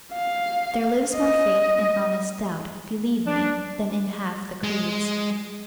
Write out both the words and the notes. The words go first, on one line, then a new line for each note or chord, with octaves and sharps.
There lives more faith in honest doubt, Believe me, than in half the creeds.
F5
D#5
D4
G#3